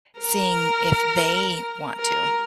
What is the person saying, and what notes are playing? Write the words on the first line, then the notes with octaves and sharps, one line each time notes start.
seeing if they want to.
A#4
A#4